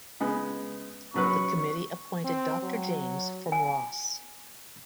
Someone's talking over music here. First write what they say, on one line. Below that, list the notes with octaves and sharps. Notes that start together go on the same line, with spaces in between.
The Committee appointed Dr James from Ross.
C#3 G#3 B3
C#3 F#3 B4 C#6
C4
F#3
G#5